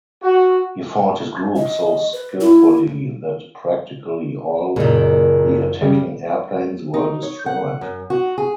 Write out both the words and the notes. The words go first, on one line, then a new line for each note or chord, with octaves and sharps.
He fought his group so skillfully that practically all the attacking airplanes were destroyed.
F#4
D#5
B4
E4
F#1 A#2 D#3
C#3 G3
D#4
C#5
F#5
F#2
F#4
G#4